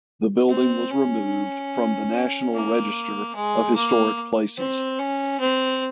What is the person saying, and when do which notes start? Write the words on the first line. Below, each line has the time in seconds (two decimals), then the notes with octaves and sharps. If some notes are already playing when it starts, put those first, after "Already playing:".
The building was removed from the National Register of Historic Places.
0.49 C4
0.91 C#4
2.54 A#3
3.35 G#3
3.76 A#3
4.58 C4
4.99 C#4
5.40 C4